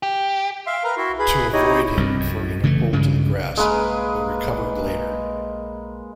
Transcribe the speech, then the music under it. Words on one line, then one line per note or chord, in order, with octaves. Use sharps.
To avoid him, Farina pulled to the grass but recovered later.
G4
E5 F5 C6
A#4 B4 A#5 F6
E4 F#4 E5 C6
G#4 B4 B5
D#4 E4 G4 C#5 D#5
C2 G2
F#2
C#3 E3 G3 A3
D2 G2 C#3 G#3
G#3 A#3 A#4 B4